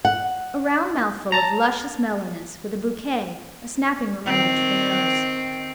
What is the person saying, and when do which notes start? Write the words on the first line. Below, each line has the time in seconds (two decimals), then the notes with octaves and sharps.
A round mouthful of luscious mellowness, with a bouquet--a snapping reminder to the nose.
0.05 F#5
1.32 A5 A#5
4.26 D#3 C4